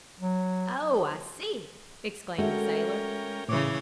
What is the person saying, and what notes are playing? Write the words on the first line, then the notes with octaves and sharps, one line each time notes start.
"Oh, I see!" exclaimed the sailor.
F#3
G#3 A3 C#4 F#4 A#4 G5
A2 C#3 E3 C#5 D6